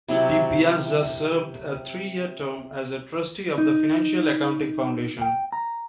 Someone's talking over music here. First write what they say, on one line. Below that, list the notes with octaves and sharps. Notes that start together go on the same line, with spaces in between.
DiPiazza served a three-year term as a trustee of the Financial Accounting Foundation.
C3 F#3 E4 D5
D#4
G5
A#5